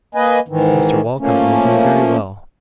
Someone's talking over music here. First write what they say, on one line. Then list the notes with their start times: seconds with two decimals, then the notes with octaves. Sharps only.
Mr Walcot knows me very well.
0.15 A#3 B4 D#5 G#5
0.48 G#2 D#3 E3
1.19 F3 A3 A#3 C#4